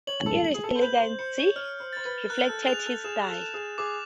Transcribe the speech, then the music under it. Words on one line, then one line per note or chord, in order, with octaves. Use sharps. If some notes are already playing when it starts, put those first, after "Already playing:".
As one of Durango's founding fathers it's elegance reflected his style.
C#5 F#7
A4
F#7
G#4
A4
C5
B4 G6
C5
C5 C#7
C#5
C#5 F6
C5
C5 A6
B4
A#4 F#6
A4
A4
G#4 F7
A4
G#4 E7
A4
E7
G#4
G#4 D6